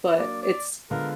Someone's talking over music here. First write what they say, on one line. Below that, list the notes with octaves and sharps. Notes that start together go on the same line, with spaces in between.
but it's
F#3 A#3 D4 D5
D5
D3 G#3 B3 F4 A#4